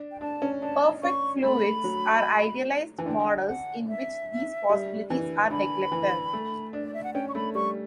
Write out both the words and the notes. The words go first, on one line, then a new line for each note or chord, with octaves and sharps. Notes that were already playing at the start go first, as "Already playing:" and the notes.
Perfect fluids are idealized models in which these possibilities are neglected.
Already playing: D4
G5
D4 A5
C#4
D4 A5
C#4 C#6
A3 B5
F#3
E3
D3 G5
G5
F#5
E5
G3
E3
D3 B5
E3
A3
D4
D5
E5
F#5
C#4 G5
C#6
A3 B5
G3 C#6